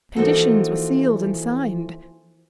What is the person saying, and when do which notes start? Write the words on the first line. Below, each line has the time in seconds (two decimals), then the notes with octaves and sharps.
Conditions were sealed and signed.
0.16 E3 F3 A#3 D#4 F#4 A4